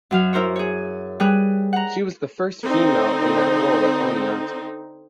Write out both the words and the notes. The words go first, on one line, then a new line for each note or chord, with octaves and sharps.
She was the first female in that role at Oneonta.
F#2 F#3 F5
E4 A#4 C5 C#5
G#4 C#5
G3 G#4 B4 F#6
F#5 A#5
D3 C4 D#4